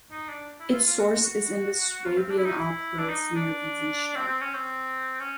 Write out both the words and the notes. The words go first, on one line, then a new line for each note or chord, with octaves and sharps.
Its source is in the Swabian Alb hills near Wiesensteig.
D#4
D4
E4
F4
F4
F#4
F#4
F4
C4
D4
E4
D#4
E4
D4
D#4
D4
C4
C4
C#4
C4
C#4